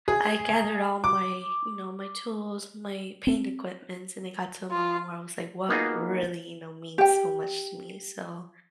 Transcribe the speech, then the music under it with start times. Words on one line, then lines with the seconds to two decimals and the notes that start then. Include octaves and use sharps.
I gathered all my you know, my tools, my paint equipments, and it got to a moment where I was like, "What really, you know, means so much to me?" So
0.08 G#4
1.04 D6
3.27 C4
4.71 F4
5.69 A#3 B3 D#4 F4 F#4 G#4
6.98 G4 G5